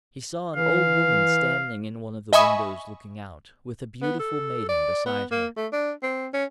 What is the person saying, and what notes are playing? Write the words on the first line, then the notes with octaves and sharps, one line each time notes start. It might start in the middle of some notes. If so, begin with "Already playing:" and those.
He saw an Old Woman standing in one of the windows looking out, with a beautiful Maiden beside her.
E3 F5
D#5 E5 G#5 B5 C#6 D#6
B3
A4
D5
B3
A#3
A3
D4
C4
C#4